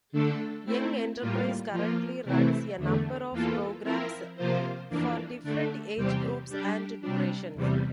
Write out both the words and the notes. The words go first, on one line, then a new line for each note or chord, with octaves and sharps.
Young Enterprise currently runs a number of programmes for different age groups and durations.
D3 A3 D4 A4
A3 C4 E4
A2 G3 A#3 F4
F3 A#3 F4
C3 E3 A3 C4 E4
E2 D3 A3
E2 E3 A#3 F4 A4
F3 C4 E4 A#4
C3 F3 A#3 F4 C5
F2 E3 A#3 D4
D3 A3 D4
E2 C3 G3 C4 G4
G3 D4 G4
C3 G3 D4
E2 C3 G3